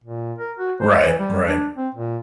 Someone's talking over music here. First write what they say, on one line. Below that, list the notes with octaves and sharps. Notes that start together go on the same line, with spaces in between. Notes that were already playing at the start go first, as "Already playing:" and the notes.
Right. Right.
A#2
A#4
F#4
C5
E3
G3
D4
C4
A#2